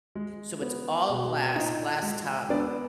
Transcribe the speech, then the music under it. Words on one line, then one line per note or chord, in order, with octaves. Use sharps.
so, it's all glass, glass top,
G#3
B3
B2
A#2 D#4 D#5
G#3
B3 D4 D5